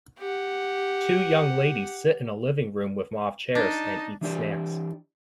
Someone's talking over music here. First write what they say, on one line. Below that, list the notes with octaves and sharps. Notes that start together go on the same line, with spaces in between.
Two young ladies sit in a living room with mauve chairs and eat snacks.
G4 F#5
D4 D#4 D#5 A5
E3 D4 G4 D5